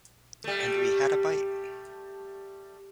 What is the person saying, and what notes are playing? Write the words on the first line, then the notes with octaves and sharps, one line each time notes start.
And we had a bite.
G3 A3